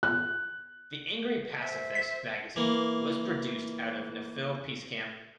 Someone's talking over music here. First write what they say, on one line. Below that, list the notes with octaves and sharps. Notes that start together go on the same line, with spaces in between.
"The Angry Pacifist" magazine was produced out of Naphill Peace camp.
F#6
C5 E5
B6
E3 A#3